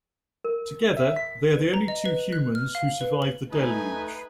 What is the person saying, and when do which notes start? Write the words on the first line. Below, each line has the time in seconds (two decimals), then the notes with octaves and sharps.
Together they are the only two humans who survived the deluge.
0.44 A#4
0.97 E5
1.16 B6
1.55 B4
1.74 A#5
1.88 D#5
2.06 B4
2.33 F#6
2.55 F6
2.75 F5
3.01 B4
3.22 F#7
3.52 A3 D#4 B4 G#5